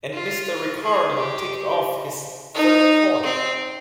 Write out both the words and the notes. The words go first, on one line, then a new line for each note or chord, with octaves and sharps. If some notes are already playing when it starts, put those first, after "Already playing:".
And Mr. Ricardo ticked off his third point.
F4
G#4
G4
D#4
C4